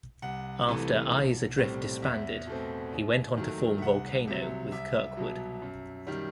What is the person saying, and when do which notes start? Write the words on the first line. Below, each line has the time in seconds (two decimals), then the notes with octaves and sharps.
After Eyes Adrift disbanded, he went on to form Volcano with Kirkwood.
0.22 C2 F#5
0.67 C3 E3 A3
1.12 B1
1.57 A2 G3 C4
2.02 E2 E5
2.47 B2 A3 C4
2.92 D#2
3.37 D#3 F#3 A3
3.78 E5
3.82 C2 F#5
4.27 C3 F#3 E5
4.72 C2 E5
5.17 B2 F#3
5.62 F#2
6.07 D#3 G3